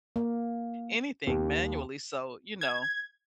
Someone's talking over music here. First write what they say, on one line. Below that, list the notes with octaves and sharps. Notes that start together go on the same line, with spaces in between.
anything manually, so, you know.
A#3
D#2
G#6